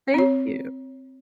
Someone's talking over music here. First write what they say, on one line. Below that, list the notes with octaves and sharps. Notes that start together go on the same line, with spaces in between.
Thank you.
C4 C#5